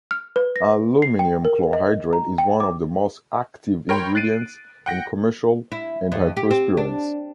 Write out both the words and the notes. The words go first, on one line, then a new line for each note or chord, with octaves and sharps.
Aluminium chlorohydrate is one of the most common active ingredients in commercial antiperspirants.
F6
B4
A#6
C7
G5
A#4
D#5
A#5
G5
D6
A#4 C#5 G5 B5 C6
F#6 A6 C7 D7 D#7
F#5 G5 A#6
E4
F2
G4
C4
D4